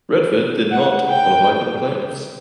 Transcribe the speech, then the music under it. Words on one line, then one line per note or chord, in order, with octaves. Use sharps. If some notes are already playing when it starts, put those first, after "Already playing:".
Radford did not qualify for the playoffs.
F#5
G5